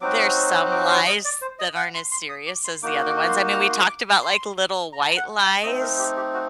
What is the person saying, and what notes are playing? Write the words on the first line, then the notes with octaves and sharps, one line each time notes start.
there's some lies that aren't as serious as the other ones? I mean, we talked about, like, little white lies.
F#3 C4 D#4 F#4 D6
D6
C6
D#5
D5
C5
D#5
F#5
C6
C6
D#6
D6
C6
A#3 D#4 F#4 D6
D6
C6
A#5
C6
D6
C6
A#5
A5
A#5
F#5
G5
A3 C4 D#4 D#5
A#4
G4
G4
F#4